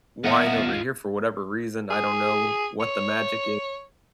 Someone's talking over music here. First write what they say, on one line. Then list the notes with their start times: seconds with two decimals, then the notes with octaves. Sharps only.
wine over here, for whatever reason. I don't know what the magic i
0.24 B3 F4 D#5 E5 F#5 A#5
1.91 G#4
2.80 C#5